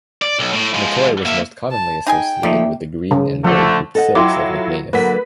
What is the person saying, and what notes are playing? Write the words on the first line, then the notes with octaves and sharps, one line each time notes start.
McCoy was most commonly associated with the green and gold hooped silks of McManus.
D5
B1
A2
F3 G#3
A#3 E5
A5
D#4 G#4 G5 G#5
F3 A3 A#3 D#4 D5 E5
C#3
D3 F3 A3
A4 D#5 F#5
F#3 E4 F4 G5 C6 D6
D3 F#3 A#3 B4 B6